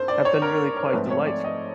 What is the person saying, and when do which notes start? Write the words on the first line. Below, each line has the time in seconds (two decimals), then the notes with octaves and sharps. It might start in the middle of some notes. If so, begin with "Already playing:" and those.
have been really quite delightful.
Already playing: G2 D#3 C5
0.08 D5
0.25 C#5
0.42 A#4
0.77 A#4
0.93 G#2 F3 A3 C4 B4
1.10 C#5
1.27 D5
1.44 D#5